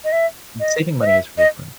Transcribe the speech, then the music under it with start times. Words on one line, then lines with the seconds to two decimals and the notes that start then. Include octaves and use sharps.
saving money is really fun.
0.04 D#5
0.12 E5
0.60 D#5
1.01 D#5
1.07 E5
1.38 D#5